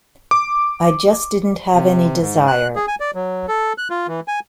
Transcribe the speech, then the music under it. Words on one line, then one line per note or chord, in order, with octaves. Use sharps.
I just didn't have any desire.
D6
C3
G#2
F#6
G#4
G#5
D5
F#3
A4
F#6
F4
E3
G#5